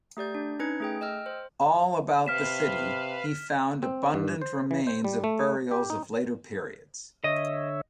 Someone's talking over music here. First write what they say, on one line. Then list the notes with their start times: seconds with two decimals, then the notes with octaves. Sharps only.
All about the city he found abundant remains of burials of later periods.
0.17 A3 G4 D5 G6
0.35 D4
0.59 C#4 D#4 B4 G#6 C#7
0.80 A3 G#4 G5
1.01 D#5 G5 E6 F6
1.26 C5
2.26 C3 B4 F5 F6 B6 E7
3.83 C4
4.14 G2
4.41 C5
4.71 E3
4.87 C5
5.04 G3
5.24 A3
5.71 G4
5.90 D#4
7.24 D3 C#5 D#5 E5